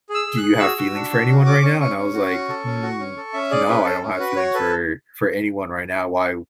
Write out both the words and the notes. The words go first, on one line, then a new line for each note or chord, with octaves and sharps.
"Do you have feelings for anyone right now?" and I was like, "N No, I don't have feelings for for anyone right now, why
G#4
E6
G#4
F#6
G#4
F#4 E6
F#4
D4
F#4
C#4
C#4 D6
C#4 C#6
C#4 C#6
C#4
F#4
C#4
A4
C#4
F#4
C#4
A4
C#4 E5
G#4 D5
C#4 B4
C#4 A4
C#4
F#4 B4
F#4 C#5
A4 B4